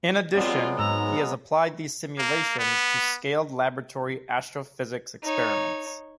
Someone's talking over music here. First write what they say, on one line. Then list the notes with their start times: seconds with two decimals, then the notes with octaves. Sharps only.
In addition, he has applied these simulations to scaled laboratory astrophysics experiments.
0.35 F#3 G#3 B3 C4 F4 D5 F#5
0.79 G#2 A#5 E6
2.18 A#3
2.59 B3
5.23 D#4 C#5